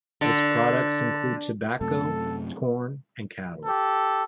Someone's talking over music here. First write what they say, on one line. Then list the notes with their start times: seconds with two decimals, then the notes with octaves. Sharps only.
Its products include tobacco, corn and cattle.
0.21 D3
1.81 F#2 C3 A3 A4
3.66 G4 A4